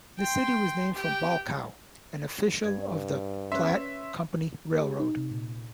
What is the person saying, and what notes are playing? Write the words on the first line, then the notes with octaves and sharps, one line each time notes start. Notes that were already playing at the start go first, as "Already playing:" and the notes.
The city was named for Bolckow, an official of the Platte Company Railroad.
G5 C6
G4 G5
G2 G#6
C#4 B4 C#5 E5 C6 F#6
G4
D#4
C3
A#2